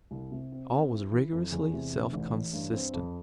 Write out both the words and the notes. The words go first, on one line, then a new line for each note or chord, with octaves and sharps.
All was rigorously self-consistent.
C2
C3
C4
C4
E4
E3
F2
E2
C3
F1
A1
A1
G2
C4
F2